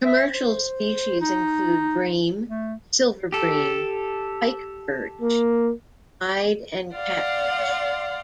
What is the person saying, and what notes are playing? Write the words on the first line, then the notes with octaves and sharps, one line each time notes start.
Commercial species include bream, silver bream, pikeperch, ide, and catfish.
E5
C5
D#4
A3
G4 A4
A#3
D5 F5 F#5 C6